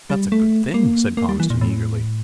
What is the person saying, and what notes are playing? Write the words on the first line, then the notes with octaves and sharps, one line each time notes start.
"That's a good thing," said Conniston, eagerly.
G3
A3
A#3
A#3
G3
E3
A#2
A2